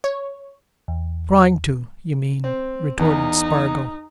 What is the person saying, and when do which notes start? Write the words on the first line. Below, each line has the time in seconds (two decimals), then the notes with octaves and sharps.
"Trying to, you mean," retorted Spargo.
0.04 C#5
0.88 E2
2.44 C4
2.99 E2 D#4